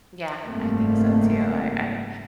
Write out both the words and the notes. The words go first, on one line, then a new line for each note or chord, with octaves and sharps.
Yeah, I think so too. I I
F#1 G#2 G3 A3 A#3 C4